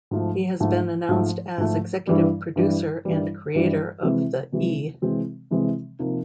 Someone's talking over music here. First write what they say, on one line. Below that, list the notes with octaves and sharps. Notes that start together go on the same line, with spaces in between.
He has been announced as executive producer and creator of the E!
G#2 F3 A3
G#2 F3 A3
G#2 F3 A3
G#2 F3 A3
G2 E3 G3
G2 E3 G3
G2 E3 G3
G2 E3 G3
C3 E3 G#3 C4
C3 E3 G#3 C4
C3 E3 G#3 C4
C3 E3 G#3 C4
C3 F3 A#3 D#4